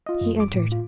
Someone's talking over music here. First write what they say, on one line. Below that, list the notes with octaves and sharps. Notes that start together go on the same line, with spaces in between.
He entered.
F4 D#5
F#2
D6
A2
F4